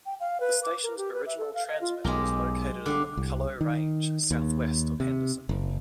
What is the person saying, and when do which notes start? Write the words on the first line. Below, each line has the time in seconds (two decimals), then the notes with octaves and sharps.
The station's original transmitter was located in the McCullough Range southwest of Henderson.
0.06 G5
0.20 F5
0.40 B4
0.63 D6
0.83 A#4
0.97 G4
1.14 B4
1.26 E5
1.38 A4
1.54 F5
1.69 D#5
1.81 F4
2.04 B1 G#3 G4 A#4
2.86 D3 G3 F5
3.17 C2
3.61 D#3
4.31 D#2
5.00 C3
5.49 F#1